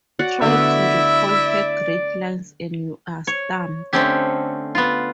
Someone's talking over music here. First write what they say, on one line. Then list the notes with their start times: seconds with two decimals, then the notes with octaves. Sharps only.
Try to recall her great lines and you are stumped.
0.19 F#4 D5 F#5
0.42 D3 A3 B3 E4 D5 E5
3.27 C#5
3.93 D3 A3 C4 C#4 G4
4.75 B3 F4